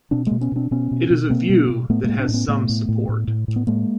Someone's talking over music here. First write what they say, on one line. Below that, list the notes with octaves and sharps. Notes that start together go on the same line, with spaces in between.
It is a view that has some support.
B2 C4 D4
B2 G#3 A#3
B3 C#4
B2 C4 D4
B2 B3 C#4
B2
B2
B2 A#3 C4
B2
B2
A2 A3 B3
G#3 A#3
A2
C4 D4
A2
B3 C#4
A2 A3 B3
A2
A2
A2
A2
A2
B3
A2 G#3 A#3